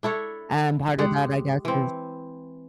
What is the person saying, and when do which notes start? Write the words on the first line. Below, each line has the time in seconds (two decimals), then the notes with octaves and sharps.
and part of that, I guess, is
0.03 D4 E4 A4 C#5
0.98 G#3 G4 F#5
1.65 E3 C4